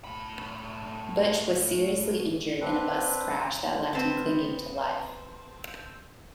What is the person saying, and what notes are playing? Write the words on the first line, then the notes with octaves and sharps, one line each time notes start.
Butch was seriously injured in a bus crash that left him clinging to life.
A2 B5
C4 D4 B4
B3 C4